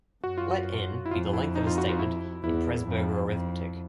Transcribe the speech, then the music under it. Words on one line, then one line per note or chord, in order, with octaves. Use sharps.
Let "n" be the length of a statement in Presburger arithmetic.
F#2 F#4
F4
F#4
E4
F2 F4
E4
D#4
F4
F#4
F4
E4
E2 E4
F2
F2